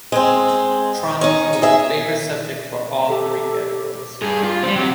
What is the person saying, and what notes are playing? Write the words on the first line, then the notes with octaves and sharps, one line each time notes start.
Tromp was a favourite subject for all three categories.
G#3 C4
C#4 D#4
G#4 E5
G4 A4
G2 G#4
F4
G3 C4 C5
C3 F#3 G4